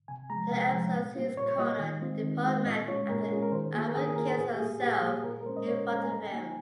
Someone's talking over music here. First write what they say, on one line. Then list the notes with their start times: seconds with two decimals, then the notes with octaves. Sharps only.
The episode sees Connor depart Med after Ava kills herself in front of him.
0.08 C3 G#5
0.30 F3 G#3 A#5
0.51 C3 F5
0.73 F3 G#3
0.94 A#2
1.16 G3 A#3 F4
1.37 A#2 C#5
1.48 C#5
1.58 G3 A#3 F4 D#5
1.79 D#3
2.01 G#3 C4 F4
2.23 D#3
2.44 G#3 C4 F4
2.65 A#2 D#5
2.88 G#3 C#4 F4 C#5
3.09 A#2 A#4
3.31 G#3 C#4 F4 G#4
3.43 A#4
3.52 D#3 C5
3.73 A#3 F4 G#4
3.88 A#4
3.95 D#3 G#4
4.06 G#4
4.16 A#3 F4 A#4
4.27 C5
4.38 A#2 G#4
4.53 G4
4.59 G3 A#3 F4 G#4
4.81 A#2 G4
5.02 G3 A#3 F4 G#4
5.23 A#2 A#4
5.41 A#4
5.46 G#3 C5
5.49 C#4
5.57 D#5
5.67 A#2 C#5
5.88 G#3 C#4 A#5
6.03 G#5
6.10 G3 A#5
6.26 G5
6.31 A#3 D#4 G#5